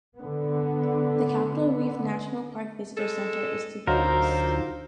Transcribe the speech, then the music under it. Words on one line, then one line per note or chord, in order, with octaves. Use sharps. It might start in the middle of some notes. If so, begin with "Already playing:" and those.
The Capitol Reef National Park Visitors Center is to the east.
D3 B3
G#3 A4
D2 F#3 D#4 F4 G4 A4 A#4 C5